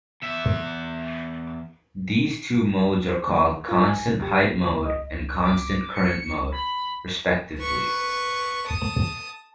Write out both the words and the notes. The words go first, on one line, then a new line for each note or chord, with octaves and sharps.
These two modes are called constant height mode and constant current mode, respectively.
E2 E5
C5
D#2
F4
G#5
C#3
G4
A#2
D2
D#5
D6
C#7
B5
B4 C#6
A5 D#6